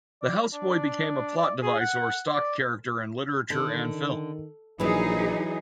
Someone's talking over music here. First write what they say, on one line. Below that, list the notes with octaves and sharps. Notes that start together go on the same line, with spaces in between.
The houseboy became a plot device or stock character in literature and film.
D5
D4
D5
G#4
F#5
D5
D3 D#3
A#1 E3 F#3 D#4 G#4